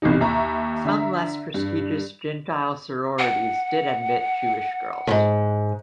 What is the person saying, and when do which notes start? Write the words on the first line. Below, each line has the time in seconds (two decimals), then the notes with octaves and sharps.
Some less prestigious gentile sororities did admit Jewish girls.
0.02 F#1 B1 C3 E3 D#4
0.21 D#2 E5 A#5 B5 C#6
0.85 D3 E5 A#5
1.54 G2
3.19 F#5
5.07 E2 G#2